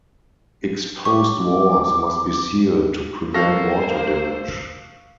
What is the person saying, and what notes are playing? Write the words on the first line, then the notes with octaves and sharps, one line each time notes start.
Exposed walls must be sealed to prevent water damage.
C#6 D6
A#3 A4 C5 F5 C#6 A#6